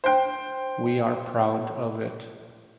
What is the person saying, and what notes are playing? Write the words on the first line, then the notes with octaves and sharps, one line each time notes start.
We are proud of it.
C5 G5